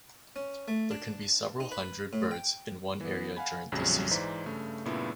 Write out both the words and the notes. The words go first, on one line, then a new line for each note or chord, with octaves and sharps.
There can be several hundred birds in one area during this season.
C#4
A3
D4
D#4
B4
A2
G5
E3 B3
F5 F#5 G#5 B5
A#1 F2 C#3 F#3 G3
G#2 E3 C5 D5 A#5 B6
G2 C#3 A3
G2 A#2 C#3 A3 B3 E4